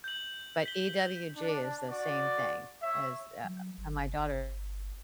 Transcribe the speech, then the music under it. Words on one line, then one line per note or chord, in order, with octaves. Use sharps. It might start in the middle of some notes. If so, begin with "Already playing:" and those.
But EWG is the same thing as, uh and my daughter
G6 F#7
B6 G7
D4
F#4 D5
C#5 E5
F#3
G1
G1